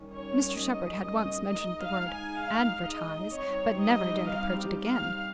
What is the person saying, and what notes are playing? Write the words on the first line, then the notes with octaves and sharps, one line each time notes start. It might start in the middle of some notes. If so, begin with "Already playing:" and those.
Mr Shepherd had once mentioned the word "advertise," but never dared approach it again.
Already playing: D#3 G3 C#4
C#5
D#5
D#5
G#3 D#4 D#5
F5
G#5
F5
D#5
G3 C4 D#4 C#5
D#5
F5
G4
F5